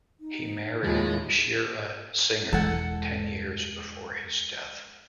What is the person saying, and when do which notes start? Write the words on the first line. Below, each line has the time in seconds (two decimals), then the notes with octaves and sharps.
He married Shira Singer ten years before his death.
0.20 D#4
0.84 D#2 A2 G#3 F4
2.53 E1 E3 G#3 A4 F#5